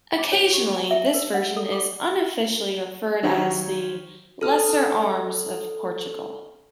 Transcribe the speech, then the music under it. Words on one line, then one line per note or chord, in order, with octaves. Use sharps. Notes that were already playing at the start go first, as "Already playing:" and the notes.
Occasionally, this version is unofficially referred as the "lesser arms of Portugal".
D6
C#5
G4
G#5
E5
A#4
F#5
A4
D6
D#3 F#3 F4 G4 C5 C#5
A4 F6